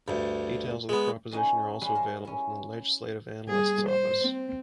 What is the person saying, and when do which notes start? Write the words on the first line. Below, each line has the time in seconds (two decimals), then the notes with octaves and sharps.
Details of this proposition are also available from the Legislative Analyst's Office.
0.08 D2 G2
0.89 G#3 B3
1.31 C#4 D#4 F#4 G#4 B4 D#5
1.82 G3 C#4 G#4 B4 C5 E5
1.95 A#4 C5
2.25 C#4 E4
3.49 G3 G#4
3.89 C5
4.21 C4